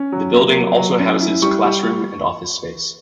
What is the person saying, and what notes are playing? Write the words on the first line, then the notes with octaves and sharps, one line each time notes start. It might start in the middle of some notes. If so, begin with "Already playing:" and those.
The building also houses classroom and office space.
Already playing: C#4
F#3
A#3
F#3
F#3
C#4
E4
G3 C#6
G3